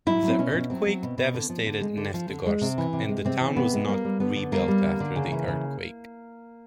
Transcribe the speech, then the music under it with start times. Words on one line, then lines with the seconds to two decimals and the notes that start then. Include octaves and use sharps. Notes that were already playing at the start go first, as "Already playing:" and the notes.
The earthquake devastated Neftegorsk, and the town was not rebuilt after the earthquake.
0.06 F#3 E4
0.23 F#3
0.28 C4
0.38 B2 C#4
0.54 B2
0.70 F#3 C4
0.86 F#3
1.03 B2
1.18 B2
1.34 D3
1.50 F3
1.66 D3
1.81 G#3
1.97 D3
2.14 F3
2.29 D3
2.46 G#3
2.61 C3
2.78 E3
2.93 C3
3.09 G#3
3.25 C3 C4
3.41 E3
3.56 C3 B3
3.73 G#3
3.88 G3 A#3
4.05 G3
4.20 D3 B3
4.36 D3
4.52 G3 A#3
4.68 G3
4.84 D3
5.00 D3
5.16 C#3
5.32 E3
5.48 C#3